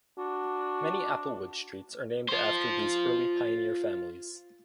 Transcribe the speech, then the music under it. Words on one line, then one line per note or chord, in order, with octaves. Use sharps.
Many Applewood streets are named after these early pioneer families.
D4 F#4
F4 C5